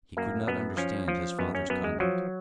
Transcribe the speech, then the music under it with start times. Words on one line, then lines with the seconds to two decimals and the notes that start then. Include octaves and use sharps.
He could not understand his father's conduct.
0.17 F#2 A#3
0.47 F#2 B3
0.77 F3 C#4
1.08 F3
1.39 F#2 B3
1.55 C#4
1.70 F#2 B3
1.84 G#3
2.00 F3 F#3